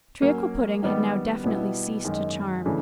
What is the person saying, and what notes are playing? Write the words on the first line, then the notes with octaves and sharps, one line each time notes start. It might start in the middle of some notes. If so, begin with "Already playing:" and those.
Treacle-pudding had now definitely ceased to charm.
F#3 A#3 C#4
D#3 G3 B3
B2 G3 B3 E4
F#2 D#3 G#3
C#3 E3 A3 D4